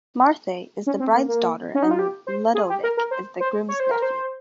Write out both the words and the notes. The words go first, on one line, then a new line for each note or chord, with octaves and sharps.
Marthe is the bride's daughter and Ludovic is the groom's nephew.
C#4
C4
A#3
A#3
C#4
D#4
F4
G4
C5
G#4
G4
A#4
A#4
C5
C5
C#5
C5
A#4
C5